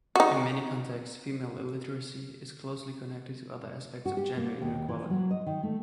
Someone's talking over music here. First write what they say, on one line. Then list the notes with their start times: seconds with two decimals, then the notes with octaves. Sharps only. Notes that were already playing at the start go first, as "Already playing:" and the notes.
In many contexts, female illiteracy is closely connected to other aspects of gender inequality.
0.16 D#4 F#4
4.06 F#4
4.17 G4
4.37 A#3
4.62 D#2
4.88 E3
5.10 F#3
5.31 D#5
5.46 D#3
5.63 A3